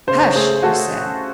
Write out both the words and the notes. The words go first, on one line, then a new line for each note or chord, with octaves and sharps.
"Hush!" he said.
C#3 C5
C#5
A3 G#4 C5
A3 F#4 A4